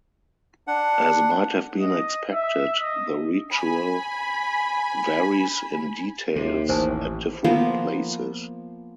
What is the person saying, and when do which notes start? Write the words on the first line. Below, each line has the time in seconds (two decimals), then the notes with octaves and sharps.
As might have been expected, the ritual varies in details at different places.
0.67 D4 F#5
1.79 D#5
2.32 E5
2.80 D#5
3.52 G#5 B5
6.36 D#2 C3
6.69 A1 C5 G#5 A5
7.44 F3 A#3 B3 C5